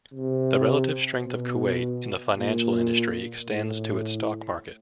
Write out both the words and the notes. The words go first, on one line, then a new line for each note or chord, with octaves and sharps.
The relative strength of Kuwait in the financial industry extends to its stock market.
C3
B2
A#2
A2